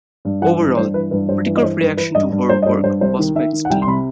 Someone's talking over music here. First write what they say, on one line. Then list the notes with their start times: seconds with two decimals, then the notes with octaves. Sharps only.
Overall, critical reaction to her work was mixed.
0.25 G2
0.42 E3 F#5
0.59 G2
0.77 G2 C5
0.94 E3 B4
1.11 G2 B4
1.29 G2 C5
1.46 E3 B4
1.57 D#5
1.63 E3 C5
1.80 G2 B4
1.97 E3 B4
2.15 G2 D#5
2.32 G2
2.49 G2 C5
2.62 D#5
2.66 G2 C5
2.84 G2 C5
3.01 C2 C5
3.19 D#3
3.35 D#3 E5
3.53 D#3
3.65 F#5
3.70 C2 G5
3.82 C6
3.87 C3 B5